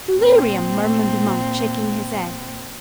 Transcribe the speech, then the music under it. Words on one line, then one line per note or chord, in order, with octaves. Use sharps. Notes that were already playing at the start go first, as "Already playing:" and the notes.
"Delirium!" murmured the monk, shaking his head.
A#2 C4